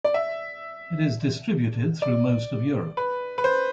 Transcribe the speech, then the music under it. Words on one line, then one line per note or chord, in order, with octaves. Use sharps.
It is distributed through most of Europe.
D5
E5
D5
B4
B4
C5